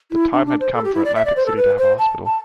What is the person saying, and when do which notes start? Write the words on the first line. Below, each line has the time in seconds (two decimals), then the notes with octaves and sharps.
The time had come for Atlantic City to have a hospital.
0.11 E4
0.33 D4
0.46 D4
0.60 C5
0.74 A4
0.84 G4
0.95 E4
1.05 D5
1.15 E5
1.25 D5
1.36 C5
1.46 A4
1.57 B4
1.78 C5
1.99 A5
2.26 A5